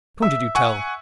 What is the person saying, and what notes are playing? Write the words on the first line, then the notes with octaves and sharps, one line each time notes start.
Whom did you tell?
E5
F#5 G#5 C#6